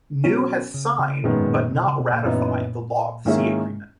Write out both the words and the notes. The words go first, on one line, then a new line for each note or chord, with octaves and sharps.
Niue has signed but not ratified the Law of the Sea agreement.
B2 F#3 C#4
C#3
C#3
F#2 A#2 D#3 G#3 B3
G#2
A#2
A#2
B2
C#3
B2
A#2
F#2 A#2 E3 B3 D#4
G#2 D#3 A#3 C#4 E4 G#4